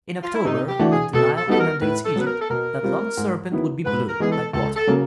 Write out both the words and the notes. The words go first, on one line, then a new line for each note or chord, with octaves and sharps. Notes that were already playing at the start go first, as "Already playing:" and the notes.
In October, when the Nile inundates Egypt, that long serpent would be blue, like water.
F4
E4
C3 D#4
G4
E3 A3 D4 F#4
G#4
B2 A4
A4
G3 B3 D#4 F#4 A4
A#4
A2 B4
A4
F#3 B3 B4
A#4
A4
B2 A#4
G3 C4 F4
G#2
D#3 F#3 B3 E4
G#2 B4
A#4
E3 G#3 B3 G#4
A4
C#2 A4
A4
C#3 F#3 A#3